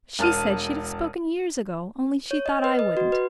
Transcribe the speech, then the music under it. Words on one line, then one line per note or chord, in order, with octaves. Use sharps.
She said she'd have spoken years ago, only she thought I wouldn't.
E1 A5 F6 D#7
C#5
D#5
B4
D#5
F#4
B4